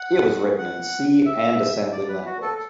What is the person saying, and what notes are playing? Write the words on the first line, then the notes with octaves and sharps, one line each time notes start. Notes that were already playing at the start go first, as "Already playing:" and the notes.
It was written in C and assembly language.
Already playing: F#5
F#5
E5
D5
B4
F#4
A4